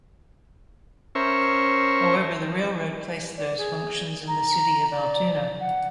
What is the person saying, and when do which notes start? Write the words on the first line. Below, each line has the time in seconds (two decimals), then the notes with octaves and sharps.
However, the railroad placed those functions in the city of Altoona.
1.15 C#4 A#4 C5 E5 C#6
3.37 D5
3.58 G#4
4.28 A#5
4.91 D5
5.60 F#5